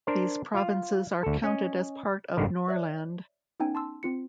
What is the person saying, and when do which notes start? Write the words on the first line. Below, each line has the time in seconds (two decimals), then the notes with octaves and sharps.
These provinces are counted as part of Norrland.
0.07 D4 A#4 C5
0.54 F4 F5
1.23 D2 A4
1.44 C#4 D#5
2.37 G#1 G2 D3 D#3 A#4
2.68 C#5 D5 E5 F#6
3.60 B3 C#4 D#4 G5 G#5
3.75 A5 C6 E6
4.03 C4 F4 C#7